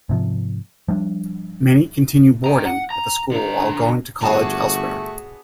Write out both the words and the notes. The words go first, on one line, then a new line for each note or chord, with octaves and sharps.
Many continue boarding at the school while going to college elsewhere.
G#2 C3 F3
F3 G3 C4 D4
G5 A#5
F#5
A#5
D3 A#5
G1 A3 B3 D4 F#4 G#4